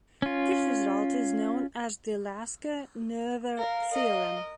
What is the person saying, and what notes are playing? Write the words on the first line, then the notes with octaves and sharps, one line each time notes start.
This result is known as the Lasker-Noether theorem.
C#4 F4
A#4 F5
A#4 D#5